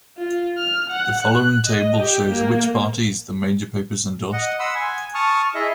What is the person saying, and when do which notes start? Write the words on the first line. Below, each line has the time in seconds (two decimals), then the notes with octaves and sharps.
The following table shows which parties the major papers endorsed.
0.17 F4
0.58 F6
0.90 F#5
1.23 F#6
1.66 D#5
1.99 G4
2.31 A#3
4.33 D#5 F#5
4.59 F#5 B5 C6 D#6 E6
4.75 G#5
5.15 A5 C#6 D#6 F6
5.55 E4 G#4 D#5 E5